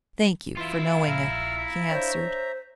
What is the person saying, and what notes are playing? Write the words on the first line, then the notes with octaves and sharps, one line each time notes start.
"Thank you for knowing it," he answered.
E3 E4 F4 C6
A#1 A#5 E6 F6
E5 A#5
D4 C5 C#5